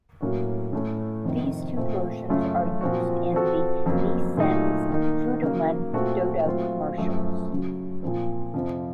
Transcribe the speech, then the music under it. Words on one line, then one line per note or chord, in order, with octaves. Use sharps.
These two versions are used in the Nissin's Futomen Dodo commercials.
A2 F#3 A#3 C#4 F#4
A2 A3 C#4 A4
F2 C3 D#3
A#2 A3 C4
F#2 C#3 A3 C#4 F4
A#2 F3 C4 F#4
F3 C4 F#4 A4
F2 C#3 F#3 A#3
A#2 F#3 A3 D#4
D#3 A#3 D#4
C#3 F#3 A#3
A#2 A3 C4 F#4 A4
A#2 F#3 A3 C4 F4
F#2 F3 A3
F#2 C#3 F#3
A#2 F3 C4
F2 C3 F3